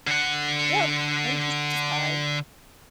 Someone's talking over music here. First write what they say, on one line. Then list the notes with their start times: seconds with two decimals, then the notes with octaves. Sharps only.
Yep, they just decide.
0.07 D3 F#5